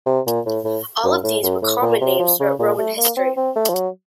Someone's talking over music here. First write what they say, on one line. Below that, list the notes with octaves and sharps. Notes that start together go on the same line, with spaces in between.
All of these were common names throughout Roman history.
C3
A#2
A2
A2
F#2
A2
F#2
A2
A#2
C3
F3
C#3
A#2
A3
A#3
C4
C4
A3
F3
F#3